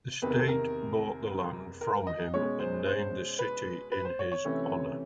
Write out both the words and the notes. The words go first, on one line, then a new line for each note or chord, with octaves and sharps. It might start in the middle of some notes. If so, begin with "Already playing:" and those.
The state bought the land from him and named the city in his honor.
E2 C3 D#3 B4
A#4
A4
A#4
A#4
D#5
B2 G#3 C#4 C#5
C5
C5
B4
B4
C5
C#5
C#5
C3 E3 A3 C#4